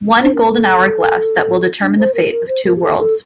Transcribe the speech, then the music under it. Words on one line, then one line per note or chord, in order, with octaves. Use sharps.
One Golden Hourglass that will determine the fate of two worlds.
C5
A#4
A4
D4
C5
A#4
A#4
C5
A#4
G4
A4
A4